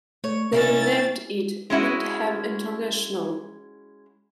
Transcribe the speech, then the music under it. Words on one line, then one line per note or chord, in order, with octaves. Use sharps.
They renamed it Wyndham International.
A3 C#5
C3 C#4 D#4 E4 E5 A6
G#3 C#4 E4 F#4